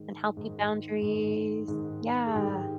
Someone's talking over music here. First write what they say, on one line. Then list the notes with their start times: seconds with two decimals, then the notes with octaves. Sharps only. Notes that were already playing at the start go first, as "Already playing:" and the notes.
And healthy boundaries, yeah.
Already playing: G#2 D#3
0.37 G#2 D#3
1.02 G#2 D#3
1.68 G#2 D#3
2.26 G#4
2.34 G#2 D#3 G4